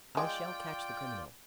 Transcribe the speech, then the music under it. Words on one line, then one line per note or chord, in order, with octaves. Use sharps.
I shall catch the criminal.
G#3 F4 D5 G5